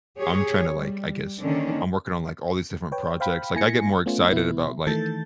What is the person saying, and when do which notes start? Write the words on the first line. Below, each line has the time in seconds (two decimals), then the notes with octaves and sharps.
I'm trying to, like I guess, I'm working on like all these different projects. Like, I get more excited about, like,
0.18 G4 G#4 C#5
0.74 G3
1.41 D3 D#3 A#3 C#4 D4
2.92 B4 C#5 G5
3.20 C5 F5 G5 B5
3.55 A#3 E4 G#5 A#6 C#7
4.06 A3 B3 C#4 F4
4.32 B2 B3 E4
4.87 D#3 E3 A3 A4 G6 A6